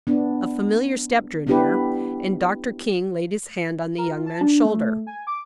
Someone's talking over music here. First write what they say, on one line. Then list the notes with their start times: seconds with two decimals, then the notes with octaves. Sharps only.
A familiar step drew near, and Dr. King laid his hand on the young man's shoulder.
0.07 B3 D4
1.47 B3 D4 E4 G4 A4 B4
3.98 A#4
4.11 F4
4.26 A5
4.41 D4
4.65 A3
5.07 G#5
5.27 D6